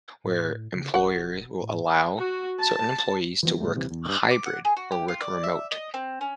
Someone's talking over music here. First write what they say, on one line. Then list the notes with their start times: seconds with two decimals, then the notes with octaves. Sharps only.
where employers will allow certain employees to work hybrid or work remote.
0.24 A2
0.74 C#3
0.94 A1 F#4 F#5
1.15 E1
1.62 A2
2.17 F#4
2.58 A5
3.43 E3 F3 B3
3.60 G1 A2 G3 A3
3.75 D#1 C3 E3
3.91 E2
4.05 G2 D3
4.31 D6
4.46 F#5
4.65 G#4
4.77 F#4
4.92 G4
5.08 F4
5.21 D5
5.43 E5
5.72 D#5
5.94 C4
6.21 C#4